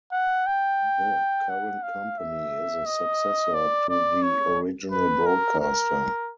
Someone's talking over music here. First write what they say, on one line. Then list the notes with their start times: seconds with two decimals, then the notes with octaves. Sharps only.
The current company is a successor to the original broadcaster.
0.12 F#5
0.46 G5
1.49 F#5
1.83 F5
2.18 E5
2.86 D#5
3.54 D5
3.89 D5
4.23 C#5
4.92 B4
5.26 A#4
5.60 A#4